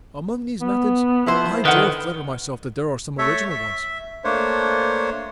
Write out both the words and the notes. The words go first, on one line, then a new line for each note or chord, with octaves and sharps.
Among these methods, I dare flatter myself that there are some original ones.
B3
F3 B3 E4 C5
D3 D#3 B4 F#5
A3 A4 C#5 E5
E5
A3 A#3 D4 C5 C#5